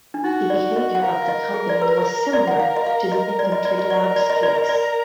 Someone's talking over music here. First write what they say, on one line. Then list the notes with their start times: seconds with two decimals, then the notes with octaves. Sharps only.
The behaviour of the company was similar to the Infantry Labs case.
0.14 D4
0.24 D#4 F#4
0.50 D5
0.76 D#5
0.95 F#5
1.02 A#4 F5
1.22 F5
1.28 D#5
1.54 G#4
1.69 D5
1.82 B4
2.33 D5
2.47 F#5
2.59 F5
2.76 D#5
2.86 F5
3.12 D#5
3.38 A#4 D5
3.52 D#5
3.65 D5
3.78 D#5
3.90 D5
4.04 D#5
4.16 D5
4.30 D#5
4.43 D5
4.55 D#5
4.69 D5